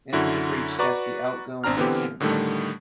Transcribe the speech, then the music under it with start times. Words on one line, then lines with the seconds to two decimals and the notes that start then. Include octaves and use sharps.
Into the breach stepped the outgoing lieutenant governor.
0.13 F#2 D3 E4 F#4
0.79 F#4 B4 D5 A#5 C#6
1.64 G#1 C4 D4 A#5 F6
1.77 D3 E3 B3 C4 G4
2.20 A2 D3 D#3 G3 A3